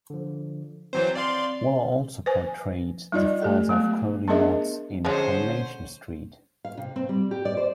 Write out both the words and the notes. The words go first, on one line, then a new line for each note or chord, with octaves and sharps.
Waller also portrayed the father of Curly Watts in "Coronation Street".
D3 F3
E3 F#3 C4 C5
D5 F5 C6
B4 C5 G#5
G3 D#4 F4 D5 D#5
A3 G4 A4
F#3 G#3 A3 B3
B3 D4 G#4 A#4 D#5 E5
D3 F3 F#3 G#3 C#4 G#4 C5 C#5
F5
C3
C4
G3
G4
D5
C5